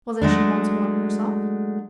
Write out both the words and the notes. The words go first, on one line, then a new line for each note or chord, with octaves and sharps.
Wasn't she once one herself?
F#3 G#3 A3 D4